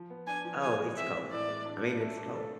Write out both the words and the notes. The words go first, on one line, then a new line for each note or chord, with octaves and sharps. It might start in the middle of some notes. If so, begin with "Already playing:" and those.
Oh, it's cold. I mean, it's cold.
Already playing: F3
B3
D4 G#5
F3
E3 G#5
G#3
C4 E5
E3
A2 D5
G#3
D4
F4
A3
D4
A4